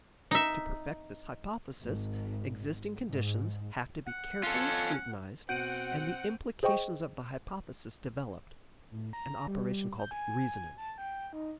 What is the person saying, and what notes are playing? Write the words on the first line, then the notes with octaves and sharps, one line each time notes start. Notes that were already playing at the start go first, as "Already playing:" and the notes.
To perfect this hypothesis, existing conditions have to be carefully scrutinized and the implications of the hypothesis developed--an operation called reasoning.
D#4 E5
G#1
G#2
F#5
C#4 F4 A4
B2 C4 F#5 G6 D7 D#7
G#4 C5 D#5 G5 C#6
A2
A#5
G3
G6
G#5
A5
G5
D#4